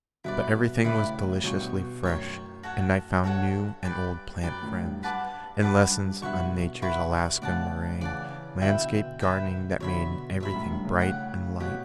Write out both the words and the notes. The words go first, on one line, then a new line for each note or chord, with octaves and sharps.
But everything was deliciously fresh, and I found new and old plant friends, and lessons on Nature's Alaska moraine landscape-gardening that made everything bright and light.
G2 B2 E4 B4 D5
A2 C#3 E4 B4 D5
G2 B2 C#5 G5 C#6
F#2 A2 C#5 G5 C#6
F#4 A4 C#5 F#5
G2 F#4 A4 C#5 F#5
B4 D5 G5
F#2 B4 D5 G5
F#2 A2
G2
B4 F#5 A5 D6
F#2 B4 F#5 A5 D6
G2
G2
G2 B2 E4 B4 F#5 C#6
E4 B4 F#5 C#6
A2 C#3 D5 F#5 A5
C#3 E3 D5 F#5 A5
B2 D3 B4 E5 G5
B4 E5 G5
B2 D3 C#5 E5 B5
G2 B2 C#5 E5 B5
F#2 A2
G2
A2 C#3
G4 C#5 F#5
B2 G4 C#5 F#5